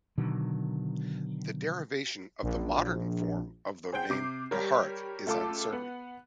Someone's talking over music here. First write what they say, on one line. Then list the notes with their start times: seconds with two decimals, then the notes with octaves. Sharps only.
The derivation of the modern form of the name "Carharrack" is uncertain.
0.18 B2 D3 D#3 F#3
2.43 A#1
3.92 G#4 C5 F#5 G5 G6
4.10 C3 D6 C7
4.51 G3 G4 A#4 C#5
5.26 C#2 A3 F4 A4 A5 D6
5.72 B3 F#5